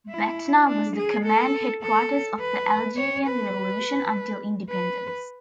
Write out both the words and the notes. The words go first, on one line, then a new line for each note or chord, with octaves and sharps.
Batna was the command headquarters of the Algerian revolution until independence.
E4
D4
G#4
A4
A4
B4
C#5
B4
B4